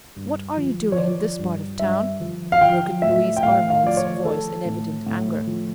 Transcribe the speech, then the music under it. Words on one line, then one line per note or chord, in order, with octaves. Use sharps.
"What are you doing in this part of town?" broke in Louis Arnold's voice in evident anger.
G2
F3
C#5
F3 D5
G2
G2 E5
F3
F5
F3 G5
A2 E5
G5
A2 F5
F5
F3 D5
C#5
F3 A4
A2
A2
F3